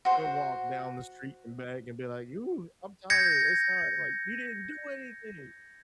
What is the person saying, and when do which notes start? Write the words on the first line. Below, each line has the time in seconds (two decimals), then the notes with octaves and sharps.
she'll walk down the street and back and be like, "Ooh, I'm tired, it's hot," I'm like, "You didn't do anything!"
0.05 F#4 C5
3.10 G6 G#6 A#6 C#7